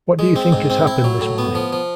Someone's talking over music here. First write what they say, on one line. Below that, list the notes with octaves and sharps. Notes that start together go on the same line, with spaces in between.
What do you think has happened this morning?
G#3
C4
G#2
C4
E4
F#3
A2
B3
F3
F3